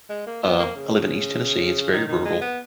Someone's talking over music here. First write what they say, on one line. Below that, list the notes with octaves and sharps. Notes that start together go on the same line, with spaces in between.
um, I live in East Tennessee, it's very rural
G#3
A#3
B3
A#3
C#3
D#3
D#3
G#3
B3